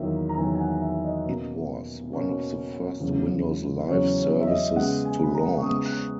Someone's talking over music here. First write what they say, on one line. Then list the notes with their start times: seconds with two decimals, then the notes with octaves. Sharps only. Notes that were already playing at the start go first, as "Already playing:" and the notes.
It was one of the first Windows Live services to launch.
Already playing: E2 D#3 F#3 A#3 E5
0.29 A#5
0.37 E2 D#3 F#3 A#3 G#5
0.55 G#5
0.60 F#5
0.82 E5
1.04 D#5
1.25 B2 A#3 C#4
2.13 B2 A#3 C#4
3.00 E2 C#3 F#3 C#4
3.88 E2 C#3 F#3 C#4 C#5
4.18 C#5
4.40 E5
4.47 D#5
4.75 C#3 G#3 B3 F#5
5.05 G#5
5.24 B5
5.34 A#5
5.57 C#6
5.63 C#3 G#3 B3 D#6
5.86 F#6